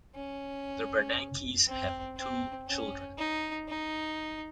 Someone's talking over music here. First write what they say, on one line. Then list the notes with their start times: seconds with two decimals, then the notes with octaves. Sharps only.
The Bernankes have two children.
0.15 C#4
1.67 C4
2.17 C4
2.68 C#4
3.18 D#4
3.69 D#4